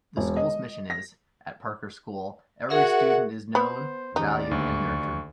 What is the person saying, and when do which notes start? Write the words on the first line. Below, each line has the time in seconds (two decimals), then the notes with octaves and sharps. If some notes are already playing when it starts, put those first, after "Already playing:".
The school's mission is, At Parker School, every student is known, valued and nurtured.
0.17 E1
0.36 D#5
0.90 A#6
2.70 F#4 G#4 A#4 E5 F#5
3.55 B3 C5 B5
4.16 D#2 C#3 D#4 D5
4.51 D2 C#6